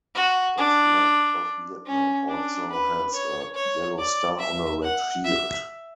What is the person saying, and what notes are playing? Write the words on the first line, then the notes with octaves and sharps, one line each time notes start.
The flag of Vietnam also has a yellow star on a red field.
F#4
D4
C#4
D4
B4
C#5
C#5
D5
E5
F#5
E5